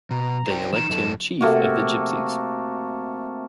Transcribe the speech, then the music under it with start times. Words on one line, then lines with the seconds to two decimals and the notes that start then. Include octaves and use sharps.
They elect him chief of the Gypsies.
0.11 B2 A#5
0.48 C5 D5 G5
0.73 E3 D#4 A#5 E7
0.90 F#2 D#4 A4
1.41 C3 A3 A#3 F#4